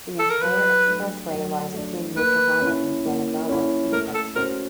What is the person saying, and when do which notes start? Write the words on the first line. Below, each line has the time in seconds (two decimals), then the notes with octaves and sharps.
The entire expressway lies within Yokohama in Kanagawa Prefecture.
0.19 A4
0.30 A#4
0.42 F#3 B4
0.86 A3 D4
1.30 F#3
1.74 A3 D4
2.17 A#3 B4
2.61 C#4 E4
3.06 A#3
3.49 C#4 E4
3.92 A3 A#4
4.15 A4
4.36 C#4 F#4 A4 A#4 C5